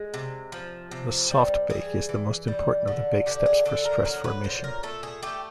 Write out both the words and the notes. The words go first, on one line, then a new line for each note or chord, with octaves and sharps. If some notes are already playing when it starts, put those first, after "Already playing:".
The soft bake is the most important of the bake steps for stress formation.
Already playing: G#3
C3
F3
C3
G3
E3 G#4
E3
G3
D3
D3 G4
G#4
D3 A4
A#4
F#3 A#4
B4
A#2 C5
A#4
A3 A4
G#4
A3 G4